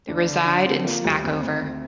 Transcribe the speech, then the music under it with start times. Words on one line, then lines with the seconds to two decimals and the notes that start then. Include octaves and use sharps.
They reside in Smackover.
0.08 D2 D4
0.27 D3
0.47 D3
0.66 D3 C4
0.85 F3 A#3
1.04 D2 G3
1.24 D2 C4
1.43 D2
1.62 D2